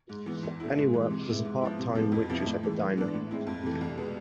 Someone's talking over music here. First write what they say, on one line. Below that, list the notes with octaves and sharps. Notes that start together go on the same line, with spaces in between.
Annie works as a part-time Waitress at the diner.
G#2
E3 B3
E2
B2 A3 E4
G#2
E3 G#3
C3
G#3 B3 E4
G#2
F3 B3 E4
C3
F3 G#3 B3
F2
C3 F3 B3 E4
A2
E3 G#3
G#2
E3 B3 D4
A2
G#3 C4 E4
F2
C3 E3 A3
C2
B2 G#3 B3